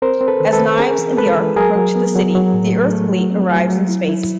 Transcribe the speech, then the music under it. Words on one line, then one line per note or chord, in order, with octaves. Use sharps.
As Knives and the Ark approach the city, the Earth fleet arrives in space.
C4 A#4 C5
C4
A4 B4
D#3
A4 B4
C4
C#4 G#4 A#4
E3
G#3 A4 B4
E3
F#3 G#4 A#4
F#3
B3
F#3
F#3
A2
A3
A3
F#3
C4
F#3
F#3
E4
E4